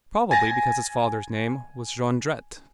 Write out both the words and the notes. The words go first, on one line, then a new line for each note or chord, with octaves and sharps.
Probably because his father's name was Jondrette.
G#5 A6 A#6